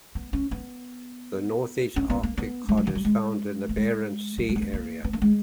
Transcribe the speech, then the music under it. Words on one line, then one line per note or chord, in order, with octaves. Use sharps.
The Northeast Arctic cod is found in the Barents Sea area.
B3
C#4
B3
C#4
B3
A#3
B3
G#3
F#3
E3
F#3
G#3
A#3
G#3
F#3
G#3
A#3
B3
A#3
B3
A#3
G#3